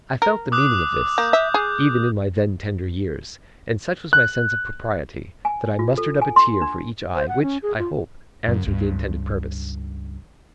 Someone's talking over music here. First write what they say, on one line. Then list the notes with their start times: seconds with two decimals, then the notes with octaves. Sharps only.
I felt the meaning of this, even in my then tender years; and such was my sense of propriety, that I mustered up a tear for each eye, which, I hope, answered the intended purpose.
0.22 A#4
0.52 D6 D#6 F#6
1.18 A#3 G6
1.33 E5
1.54 G#4
4.13 F#6
5.45 G#5
5.79 F4
5.98 A4
6.22 G#5
6.36 C6
6.61 D4
7.15 C5
7.29 F#5
7.42 C#4
7.63 G#4
7.79 F4
8.47 F#2 C#3
8.66 C#2 G2